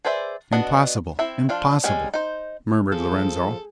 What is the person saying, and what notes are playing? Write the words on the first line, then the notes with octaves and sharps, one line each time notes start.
"Impossible, impossible!" murmured Lorenzo.
G#4 B4 C5 D5 E5
B3 D4 F#4 D#5
C4 E4 E5
F3 D4 F4
G3 G#3 C#4 G#4 G#5
D#4 C5
F3 G#4 A4